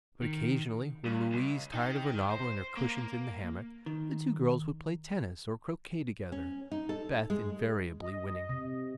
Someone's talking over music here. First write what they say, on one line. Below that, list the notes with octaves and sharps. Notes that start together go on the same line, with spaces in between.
But occasionally, when Louise tired of her novel and her cushions in the hammock, the two girls would play tennis or croquet together--Beth invariably winning.
D#3
G2
C#2
D#4 G5
C5
A#3
D#3
C#4
D#4
A4
G#3
D#5
C3